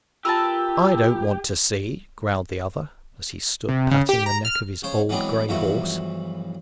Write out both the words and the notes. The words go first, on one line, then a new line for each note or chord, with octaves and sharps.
"I don't want to see," growled the other, as he stood patting the neck of his old grey horse.
F4 G4 A#4 B4 A5 E6
C3
C#3
G4
A#5
F6
C#3 C5 C#5
E3 F#3 G#3 B3 C4 D4
B1 G2 E3 F3 F#4 E5